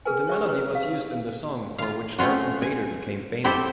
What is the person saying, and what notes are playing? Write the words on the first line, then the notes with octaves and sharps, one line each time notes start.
The melody was used in the song for which Lord Invader became famous.
G#4 A#4 B4 G#5
C#5 E5 C#6
E4 G4 G#4 A#4 B4 C#5
F5
F4 F5
A3 C4 C#4 F4 F#4
G#5
C4 E4 G4 A4 C5